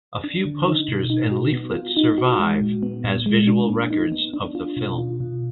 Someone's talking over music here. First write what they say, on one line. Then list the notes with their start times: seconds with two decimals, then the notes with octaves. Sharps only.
A few posters and leaflets survive as visual records of the film.
0.24 D4
0.45 D3
0.67 D#4
0.88 B2
1.10 D#4
1.31 F#4
1.53 B3
1.74 F4
1.97 D#4
2.18 F#4
2.40 G#3
2.61 A#2
2.83 B3
3.04 A#2
3.26 G#3
3.47 D4
3.69 A#3
3.91 D#4
4.12 B3
4.34 D4
4.55 F4
4.77 B2
4.98 F4
5.20 B2